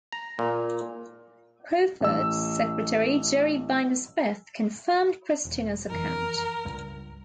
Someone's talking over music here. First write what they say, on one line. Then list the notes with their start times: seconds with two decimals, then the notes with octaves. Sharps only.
Crawford's secretary, Jeri Binder Smith, confirmed Christina's account.
0.12 A#5
0.39 A#2
2.01 A1 E6
5.45 E1
5.90 F#1 F2 E3 A#4
6.65 C#2 G2